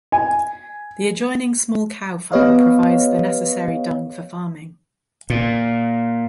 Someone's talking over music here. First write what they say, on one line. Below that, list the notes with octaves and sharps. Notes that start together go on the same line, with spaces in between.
The adjoining small cow farm provides the necessary dung for farming.
G#5
B3 G4 B4 C#5 D#5 F5
A#2